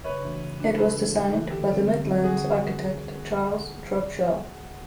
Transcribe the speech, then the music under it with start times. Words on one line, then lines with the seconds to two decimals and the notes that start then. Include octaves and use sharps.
It was designed by the Midland's architect Charles Trubshaw.
0.04 C#3 B4 C#5
0.22 E3 A3 D4 F#4
0.41 C#3
0.59 E3 A3 D4 F#4
0.77 C#3 A4 B4
0.95 E3 A3 D4 F#4
1.14 C#3
1.32 E3 A3 D4 F#4
1.50 D3 G4 A4
1.68 G3 C4
1.86 D3
2.05 G3 C4
2.23 D3 F#4 G#4